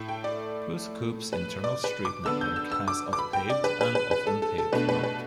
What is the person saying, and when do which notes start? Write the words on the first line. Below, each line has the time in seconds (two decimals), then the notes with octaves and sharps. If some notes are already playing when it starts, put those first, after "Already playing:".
Pouce Coupe's internal street network has of paved and of unpaved road.
Already playing: A2 A3 E4
0.08 G5
0.24 D5
1.33 B4
1.64 D5
1.84 B4
2.05 D6
2.25 D3 B3 D4 E6
2.41 G6
2.56 E6
2.72 E6
2.88 D6
3.13 D6
3.19 B5
3.33 G5
3.50 D5
3.64 B4
3.81 B4
3.95 B4
4.11 B4
4.27 A4
4.42 A4
4.58 A4
4.73 B2 A3 D4 B4
4.89 B4
5.03 B4